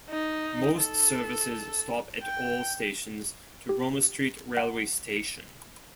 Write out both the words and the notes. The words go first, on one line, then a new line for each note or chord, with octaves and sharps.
Most services stop at all stations to Roma Street railway station.
D#4
A4
G5
G4
F#5
C#7